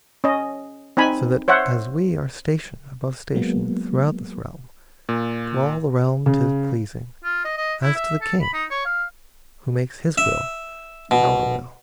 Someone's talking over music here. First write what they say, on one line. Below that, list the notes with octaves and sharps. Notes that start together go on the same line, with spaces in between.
So that, as we are station above station Throughout this realm, to all the realm 'tis pleasing, As to the King, who makes his will our will.
C#4 D#5
C4 D#4 G#5 B5
C5 C#5 E5 F#5
F#3 G#3 A#3 B3
A#2
C#3
F4
D#5
D#5
E4
E5
A4
B5
D#4
C#5
F5
E5
B2